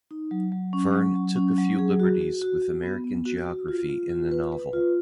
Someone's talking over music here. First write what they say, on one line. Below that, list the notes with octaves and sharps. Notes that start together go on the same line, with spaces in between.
Verne took a few liberties with American geography in the novel.
D#4
F#3
F#3
C#4
F#3
F#3
C#4
F#3
G#4
F#4
F#4
F#4
F#4
B3
B3
F#4
F#4
F4
F4
F4
B4
B4
F4